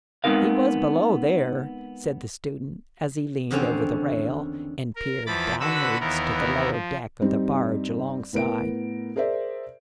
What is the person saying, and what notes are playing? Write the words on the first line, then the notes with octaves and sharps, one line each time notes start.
"He was below there," said the student, as he leaned over the rail and peered downwards to the lower deck of the barge alongside.
G#3 B3 C4 D#4 A#4 F5
E2 D3 D#3 C4 C#4 G5
A#4
E2 E3 F3 B5 D6 A6
D3 F#4 B4 B5 E6
D#2 E3 B3 A#4
F3
G2 G3 C4 D#4
A2 B3 A#4 D7
G#4 A#4 C5 D5 E5